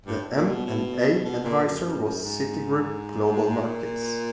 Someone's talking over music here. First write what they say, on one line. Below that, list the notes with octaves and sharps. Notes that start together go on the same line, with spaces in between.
The M and A advisor was Citigroup Global Markets.
G2
A#2
B2
B2
B2
A#2
F#2
F#2
F#2
G#2
A#2